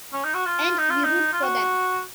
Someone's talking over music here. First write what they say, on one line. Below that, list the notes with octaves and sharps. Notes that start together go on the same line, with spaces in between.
And we root for them.
C#4
D#4
F#4
F4
D#4
F4
D#4
F4
F#4